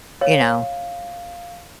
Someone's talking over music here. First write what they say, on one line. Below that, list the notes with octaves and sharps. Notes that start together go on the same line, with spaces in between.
You know,
C#5 F5